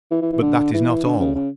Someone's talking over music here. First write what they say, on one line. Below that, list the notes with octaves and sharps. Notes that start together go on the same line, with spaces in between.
But that is not all.
E3
E3
E3
D3
E3
D3
C#3
C#3